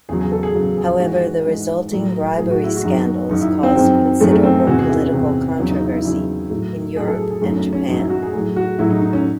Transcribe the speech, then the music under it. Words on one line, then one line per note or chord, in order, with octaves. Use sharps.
However, the resulting bribery scandals caused considerable political controversy in Europe and Japan.
E2 C#3 F#3 G#4
G#4
A4
G#4
E2 C#3 F#3
G#4
G#2 E3 F#4
G#2 E3
A2 F#3
A2 F#3 G#4
F#4
E4
F#4
F#2 D#3 F#3
F#2 D#3 F#3 D#4
E4
C4
F#2 D#3 F#3 C4
F#2 D#3 F#3 A3
A3
C4
D#4
E2 C3 E3 F#4
G#4
E4
C#4
E2 C3 E3
E2 C#3 F#3 C#4
D#4
E4
E4
E2 C#3 F#3 E4
A2 F#3
A2 F#3 G#4
A4
G#4
G#4
F#2 D#3 F#3 A3
C#4
C#4
F#2 D#3 F#3 D#4
E4
F#4
G#4
A2 F#3 G#4
F#4
A2 F#3 E4
D#4
D#4
C#4